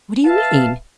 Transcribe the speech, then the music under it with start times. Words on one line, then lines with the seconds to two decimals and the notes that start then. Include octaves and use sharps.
"What do you mean?"
0.24 B4 E5 F5 A5